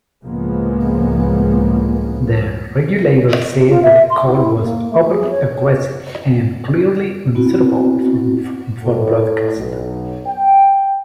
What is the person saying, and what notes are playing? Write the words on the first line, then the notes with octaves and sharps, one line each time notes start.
The regulator said that the call was "overtly aggressive" and "clearly unsuitable for broadcast".
C#2 A2 F3 G#3 A#3 B3
F4
E5
C6
E4
A#3
A3
G#4
C#5
B3 C4 E4 F#4
A2
B1
G5